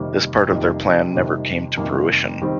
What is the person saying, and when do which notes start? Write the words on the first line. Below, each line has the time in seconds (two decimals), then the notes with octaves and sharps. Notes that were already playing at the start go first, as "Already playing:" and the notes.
This part of their plan never came to fruition.
Already playing: F2 C3 D#3 G3 A#3
0.49 F2 C3 D#3 G3 A#3
1.13 F2 C3 D#3 G3 A#3
1.77 F2 C3 D#3 G3 A#3
2.42 D#3 G3 C4